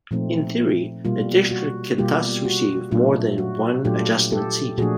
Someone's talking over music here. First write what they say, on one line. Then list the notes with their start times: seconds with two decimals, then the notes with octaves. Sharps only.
In theory, a district can thus receive more than one adjustment seat.
0.11 A#2 F3 A3 C4 D#4
1.05 B2 G3 A#3 F4
1.51 F#4
1.98 B2 G3 A#3 F4 G4
2.45 F#4
2.91 A#2 F#3 A3 D4 F4
3.38 F#4
3.85 A#2 F#3 A3 D4 F4 G4 A4
4.32 G4 A4
4.78 A#2 F3 A3 D4 F#4 G#4